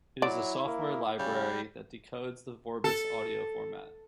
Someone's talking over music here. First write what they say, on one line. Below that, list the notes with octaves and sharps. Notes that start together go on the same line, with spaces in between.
It is a software library that decodes the Vorbis audio format.
F#3 E4 D5
A#3
C#3 G3
A4